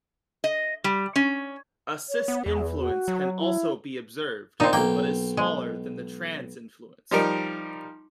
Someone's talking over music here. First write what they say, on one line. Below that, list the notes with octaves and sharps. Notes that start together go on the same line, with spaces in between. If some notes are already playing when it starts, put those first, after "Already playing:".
A "cis influence" can also be observed, but is smaller than the trans influence.
D#5
G3
C#4
C#5
B3
E2 G#4
F#4
F#3
E4
A#2 C4 D#4
B1 A#3 G5
G#3
F3 G3 D#4 A#4